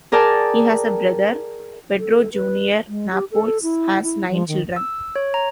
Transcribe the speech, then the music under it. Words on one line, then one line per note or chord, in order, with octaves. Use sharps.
He has a brother, Pedro Junior Napoles has nine children.
G#4 A#4 D5 G5 A5
A4
B4
G#3
G4
A4
E4
E4
F3
D#3
E6
C#5
A#5